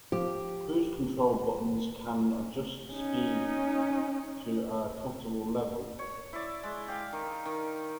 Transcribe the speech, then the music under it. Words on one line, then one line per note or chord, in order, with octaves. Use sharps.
Cruise control buttons can adjust the speed to a comfortable level.
F3 G4
C#4 D#4
C#5
E4 D5
G#3
G4 F5
D#3
D#3